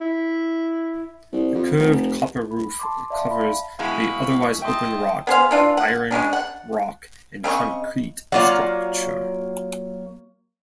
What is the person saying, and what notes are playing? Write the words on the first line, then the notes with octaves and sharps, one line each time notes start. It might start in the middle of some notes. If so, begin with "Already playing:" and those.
The curved copper roof covers the otherwise-open wrought iron, rock, and concrete structure.
E4
C2
F2
F1
B5
A5 C6 D6
D5 E5 F5 A5 C6
F5 B5
B2 G#3 E4 F5 B5 C#6
D#5 E5 G5 A5 C6
B3 G#4 C5 F5
E3 D4 F4
F#5
G#3 B3 C#4 D4
F#5
C#3 C4 D#5 C#6
F#3 A#3 F4 D5 F5 F#5